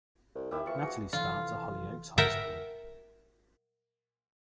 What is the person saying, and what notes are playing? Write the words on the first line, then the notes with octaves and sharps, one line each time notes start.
Natalie starts at Hollyoaks High School.
C2
D#2 E4 G4 E5
E2 F3 C#6
F#4 G#4
F1 E3 F4
A#4 E5 F#5 G5 A5 A#5